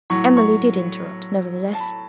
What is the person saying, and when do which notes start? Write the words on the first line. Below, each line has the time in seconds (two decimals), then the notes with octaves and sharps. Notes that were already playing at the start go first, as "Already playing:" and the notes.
Emily did interrupt, nevertheless.
0.10 A2 F#3 C#6
0.37 C#6
1.73 A5
1.80 B5